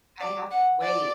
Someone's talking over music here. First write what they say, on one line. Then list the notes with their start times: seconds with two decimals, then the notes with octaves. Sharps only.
"I have to wait
0.20 D5
0.51 F#5
0.82 D5